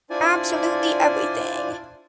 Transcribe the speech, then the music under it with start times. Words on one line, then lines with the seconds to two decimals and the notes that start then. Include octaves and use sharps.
Absolutely everything.
0.10 D4 E4 F4 C5 D5 G#5